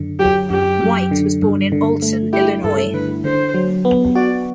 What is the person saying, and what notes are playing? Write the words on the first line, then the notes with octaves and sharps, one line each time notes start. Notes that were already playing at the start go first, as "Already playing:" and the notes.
White was born in Alton, Illinois.
Already playing: F#2 D3
F#3 G4
F#2 G4
F#2
D3
G2
D3
A3
E4 G4
G2 A4
D3 B4
D3 C5
F#3
B3
F#4 D5